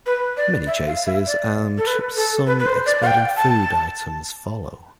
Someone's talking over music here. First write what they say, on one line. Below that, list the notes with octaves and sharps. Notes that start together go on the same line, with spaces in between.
Many chases and some exploding food items follow.
B4
D5
E5
F5
E5
D5
A4
B4
A4
B4
B4
C5
D5
F5
G5
A5